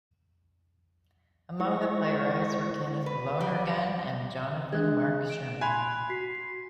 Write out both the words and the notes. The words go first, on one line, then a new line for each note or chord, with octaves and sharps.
Among the playwrights were Kenneth Lonergan and Jonathan Marc Sherman.
G#3 E4 C5 C#6 A#6
B4
G3
G#3 D4 F#6 G#6
D7 E7
G#5 B5 C6 F#6 G#6 F7
F#4 B6 C7